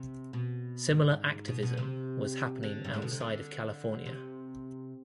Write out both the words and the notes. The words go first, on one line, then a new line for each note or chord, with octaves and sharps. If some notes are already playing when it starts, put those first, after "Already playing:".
Similar activism was happening outside of California.
Already playing: C3
B2
G#2
B2
B2
C3
D3
G2
G#2
B2
C3
D3
C3